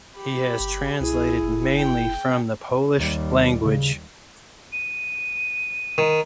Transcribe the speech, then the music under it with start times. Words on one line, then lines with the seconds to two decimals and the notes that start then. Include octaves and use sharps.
He has translated mainly from the Polish language.
0.16 G4 B5
0.60 G1
1.01 C2 E4 G#4
1.43 F#1
1.75 G5
2.97 D#2 G3
3.66 C#3
4.73 D#7
5.98 D#3